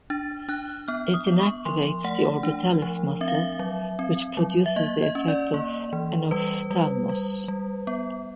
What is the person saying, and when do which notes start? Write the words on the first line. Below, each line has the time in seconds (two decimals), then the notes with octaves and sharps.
It inactivates the orbitalis muscle which produces the effect of enophthalmos.
0.10 D4 A6
0.49 D4 F#6
0.88 B3 F6
1.14 D#6
1.27 B3
1.40 C#6
1.65 F3 C6
2.04 A3 F#5
2.43 D4
2.82 F3
3.21 C4 E5
3.28 F5
3.35 E5
3.59 F#3
3.99 C4
4.37 F#3
4.66 E5
4.76 A#3 D#5
5.02 D#5
5.15 C#4
5.28 D5
5.54 A#3
5.93 E3
6.31 G3 B4
6.71 G3
7.09 G3
7.48 G3
7.87 B3